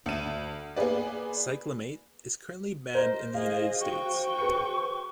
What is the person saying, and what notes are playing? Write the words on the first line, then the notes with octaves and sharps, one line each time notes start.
Cyclamate is currently banned in the United States.
D2 D#7
A#3 B3 G#4 B4 D5
A#4 C5 D#5
G#4 D#5 F5
F#4 G5 C#6
G#4 B4 C#7